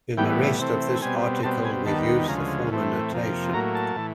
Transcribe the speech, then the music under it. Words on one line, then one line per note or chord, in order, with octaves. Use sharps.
In the rest of this article we use the former notation.
A2 E3 G3 B3 G5
C3 E3 A3 C4
B2 G3 C4 G#5
B2 G3 C4 A5
G#5
D#2 D#3 G3 B3 A5
D2 C#3 F3 G#3 A#5
A2 E3 A3 C4
F2 C3 F3 A#3
A2 F#3 A#3 A#5
A5
A2 E3